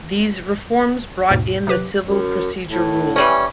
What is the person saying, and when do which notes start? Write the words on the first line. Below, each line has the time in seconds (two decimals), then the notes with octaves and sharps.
These reforms brought in the Civil Procedure Rules.
1.31 D#2 G#2 B2
1.67 C3 F#3 G4 B4
2.00 F#2
2.67 A2
3.16 E3 G3 C#4